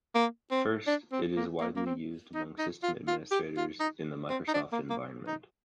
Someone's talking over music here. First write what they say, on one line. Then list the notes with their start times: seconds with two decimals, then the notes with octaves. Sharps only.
First, it is widely used among system administrators in the Microsoft environment.
0.15 A#3
0.51 C4
0.87 D4
1.12 C4
1.37 A#3
1.60 A#3
1.76 A#3
1.86 C4
2.34 D#4
2.59 D#4
2.83 F4
3.07 F4
3.31 G4
3.57 F4
3.80 D#4
4.30 C4
4.48 D#4
4.54 D4
4.72 A#3
4.90 A#3
5.27 D#4